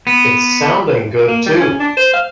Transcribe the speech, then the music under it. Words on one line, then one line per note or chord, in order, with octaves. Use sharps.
It's sounding good too.
B3
A#3
G3
C#4
D4
C5
F5